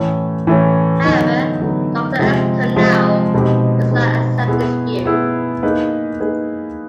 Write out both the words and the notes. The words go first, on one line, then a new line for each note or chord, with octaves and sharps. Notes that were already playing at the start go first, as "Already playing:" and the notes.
However, Doctor S Konow does not accept this view.
Already playing: A2 E3 A3 C#4
A2 E3 A3 C#4
D3 F#3 B3 D#4
D3 F#3 B3 D#4
C3 F3 G#3 C4
C3 F3 G#3 C4
B2 G#3 C4 D#4 G4
B2 G#3 C4 D#4 G4
B3 E4 G#4
B3 E4 G#4
A#3 D#4 G#4 B4
A#3 D#4 G#4 B4